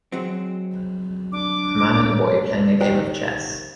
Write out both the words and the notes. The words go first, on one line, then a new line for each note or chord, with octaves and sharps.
A man and boy playing a game of chess.
F#3 G#3 C4
D4 D6
D#3 G4 C5 G5